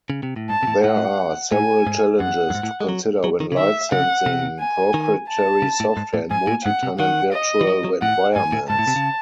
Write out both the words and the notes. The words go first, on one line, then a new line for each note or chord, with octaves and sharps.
There are several challenges to consider when licensing proprietary software in multi-tenant virtual environments.
C#3
C3
A2
G#2 A5
C3
A2
A2 F#5
A2 G#5
G#2
F#2 F#5
F#2
G#2
A2
G#3
F#3
F#3
D#3
C#3
D#3 E5
C#3 F#5
C3
G#5
D#3
A5
C#3
A2
G#2
A2
G#2 G#5
A2
G#2 F#5
C3
D#3 F#5
D#5
E3
F#3
F#3
A2 F#5
G#2 G#5
A2
G#2 A5
A2
C3
C#3